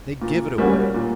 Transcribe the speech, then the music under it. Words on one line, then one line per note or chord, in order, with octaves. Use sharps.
They give it away.
A#2
G3 A#3 C#4 F#4
A#2